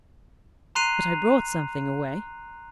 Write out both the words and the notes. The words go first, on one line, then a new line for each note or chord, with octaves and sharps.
But I brought something away.'
A#5 C6 F#6 C7 D#7 F7